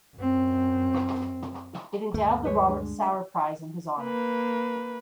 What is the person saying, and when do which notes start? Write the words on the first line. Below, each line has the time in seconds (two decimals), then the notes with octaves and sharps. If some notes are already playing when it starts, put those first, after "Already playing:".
It endowed the Robert Sauer Prize in his honor.
0.17 F#2 C4
2.14 D2 G2 D#3 A3
2.29 B3
2.45 F3 G3 G#3 B4 C#5
2.69 G#3 D4
3.03 E5
4.01 A#3 B4